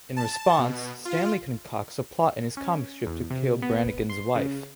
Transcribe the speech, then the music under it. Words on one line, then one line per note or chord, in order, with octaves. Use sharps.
In response Stanley concocts a plot in his comic strip to kill Brannigan's wife.
A5
B2
F4
C#4
E2
C3
B3
C6
C#3